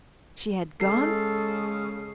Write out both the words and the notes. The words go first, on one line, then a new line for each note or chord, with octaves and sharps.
"She had gone?"
C#3 G#3 A4 C7